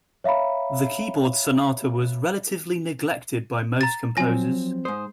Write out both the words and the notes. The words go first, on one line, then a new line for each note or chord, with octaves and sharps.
The keyboard sonata was relatively neglected by most composers.
C#5 E5 F5 A#5 B5
A#5 A6
F3 F#3 C4 G#5 A#6
G#2 C5 D#6